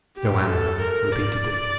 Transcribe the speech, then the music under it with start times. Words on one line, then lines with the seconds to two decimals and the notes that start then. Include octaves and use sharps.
"Joanna!" repeated Dick.
0.17 G4
0.48 A4
0.80 A#4
1.12 D5